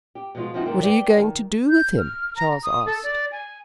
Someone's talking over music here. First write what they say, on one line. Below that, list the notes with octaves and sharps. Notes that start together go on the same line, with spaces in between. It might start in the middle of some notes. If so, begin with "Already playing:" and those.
"What are you going to do with him?" Charles asked.
G4
B2 F3 G#3 F4
F3 B3 C4 D#4 E4 F#4
G#2 C3 D#3 A#3 C4
B4 D5 E5 G5
D#3
G6
F6
A#5
D#6
A4
D5
G#5